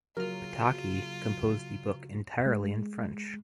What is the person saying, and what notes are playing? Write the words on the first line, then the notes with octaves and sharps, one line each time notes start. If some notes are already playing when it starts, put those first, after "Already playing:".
Potocki composed the book entirely in French.
C#3 F#3 A#3 F4 A#4 F6
G#3